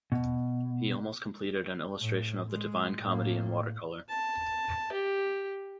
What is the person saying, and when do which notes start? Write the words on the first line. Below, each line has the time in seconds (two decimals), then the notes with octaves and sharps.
He almost completed an illustration of the "Divine Comedy" in watercolor.
0.12 B2
1.98 A2
2.48 G#3
3.01 A2 A#3
4.09 A5
4.92 G4